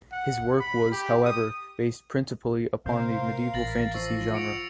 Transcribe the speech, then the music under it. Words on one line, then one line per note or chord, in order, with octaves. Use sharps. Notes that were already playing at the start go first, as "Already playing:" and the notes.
His work was, however, based principally upon the medieval fantasy genre.
F#5
B5
G4
D#6
C3 A#4 C5 F5
A1 B5 A6 A#6 F#7
F3 C#6 E6 C7
F#5 C#7 D7 F7